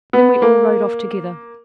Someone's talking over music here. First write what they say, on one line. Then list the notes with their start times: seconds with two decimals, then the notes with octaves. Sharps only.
Then we all rode off together.
0.13 B3
0.42 A#3